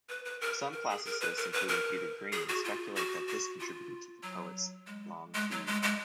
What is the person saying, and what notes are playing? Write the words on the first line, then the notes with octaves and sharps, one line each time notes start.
Some classicists, including Peter Green, speculate that this contributed to the poets' long feud.
B4
B4
A#4
A#4
G#4
A#4
B4
A#4
B4
A#4
G#4
F#4
F4
F#4
F#4
F4
F#3
G#3
G#3
F#3
G#3
G#3